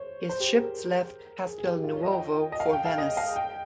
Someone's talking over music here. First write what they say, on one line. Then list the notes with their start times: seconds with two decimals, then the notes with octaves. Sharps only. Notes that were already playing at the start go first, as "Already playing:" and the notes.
His ships left Castelnuovo for Venice.
Already playing: C5 C#5
0.29 C5
0.40 G4
0.48 G#4
0.58 A#4
1.45 G#4
1.58 G#4
1.65 G4
1.84 F4
1.93 C#5
2.03 D#5
2.12 G5
2.52 D#5
2.60 F5
2.73 G5
2.85 F5
2.98 D#5
3.17 F5
3.36 G5